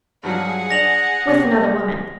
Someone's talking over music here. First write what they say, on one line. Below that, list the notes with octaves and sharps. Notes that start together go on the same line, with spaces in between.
"With another woman."
G2 F3 F#3 G#4 F#5
D4 A#6 F7 F#7
C3 C#4 G4